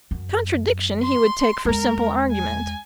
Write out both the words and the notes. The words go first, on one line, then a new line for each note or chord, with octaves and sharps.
Contradiction he would take for simple argument.
F#2
C6
E2 G#3 A#4
G#5